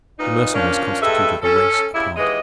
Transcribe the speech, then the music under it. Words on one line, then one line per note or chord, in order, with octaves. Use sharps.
The Mercenaries constituted a race apart.
A#2 B3 D#4
F3 A#3 C#4 D4
G2 G#3 A4 B4 E5
C#4 A4
C#3 G3 E4
D#2 E3 G#3 D#5